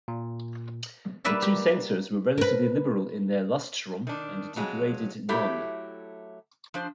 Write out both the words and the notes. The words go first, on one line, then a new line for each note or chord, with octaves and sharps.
The two censors were relatively liberal in their "lustrum" and degraded none.
A#2
G3 A#3 B4 D5 E5 A5
G4
A#4 B4
D#3 D4
F2 F#3 G#3
F#3 A3 E4 G4
F3 D4 C5